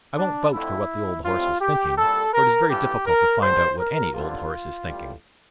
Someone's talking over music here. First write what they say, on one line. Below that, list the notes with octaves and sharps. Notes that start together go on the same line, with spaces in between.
I won't vouch for what the old horse was thinking, for it is very difficult to find out what any old horse is thinking.
D4
F2 D3 A3 C4 E4
A2 G3 C4 F4
G4
C2 A#2 G3 A4
A#4
A1 G2 E3 G3 G4
A#4
A1 A2 G3 C5
A#4
G2 D3 G3 C4 F4
A1 A2 G3